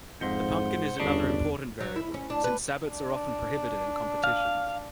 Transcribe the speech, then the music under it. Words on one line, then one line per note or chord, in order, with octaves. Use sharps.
The pumpkin is another important variable since sabots are often prohibited in competitions.
F2 G#2 C5 F#5 C6
G1 E2 C#3 D4
F#3
E4
C#4
D4
B4
D4
F5